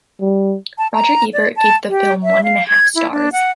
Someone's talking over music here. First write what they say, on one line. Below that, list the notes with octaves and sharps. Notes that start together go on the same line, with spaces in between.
Roger Ebert gave the film one and a half stars.
G3
A5
A#5
D5
A5
G4
E5
F5
G#6
E4
D4
F#5